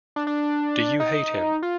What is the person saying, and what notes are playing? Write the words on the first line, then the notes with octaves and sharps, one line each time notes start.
Do you hate him?
D4
D4
D#4
F4